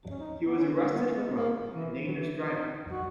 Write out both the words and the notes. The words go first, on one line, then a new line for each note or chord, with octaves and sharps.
He was arrested for robbery and dangerous driving.
C#4
D#4
B3
C#4
C#4
A#3
B3
G#3
A#3
E3
F#3
E3
D#4
F#4